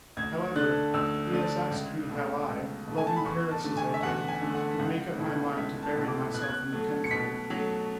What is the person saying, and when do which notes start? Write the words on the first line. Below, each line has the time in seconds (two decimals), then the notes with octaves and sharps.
However, he has asked me how I, loving Paris as I do, could make up my mind to bury myself in the country.
0.17 D2 G#6
0.55 D3 A3 D4 F#6
0.94 D2 E6
1.32 D3 A3 D4
1.71 C#2
2.10 B2 A3
2.49 C#2
2.87 B2 A3
2.98 G#5
3.07 A5
3.16 B5
3.25 E2 C#6
3.51 A5
3.64 D3 A3
3.77 G#5
3.94 E5
4.03 E2 F#5
4.28 G#5
4.42 D3 A3
4.55 F#5
4.79 C#2 F#5
5.18 B2 A3 E4
5.58 C#2 E5
5.83 A5
5.95 B2 A3 E4
6.08 D6
6.34 B2 F#6
6.41 G#6
6.49 F#6
6.73 F#3 A3
7.04 C#7
7.11 B2 B6
7.50 F#3 A3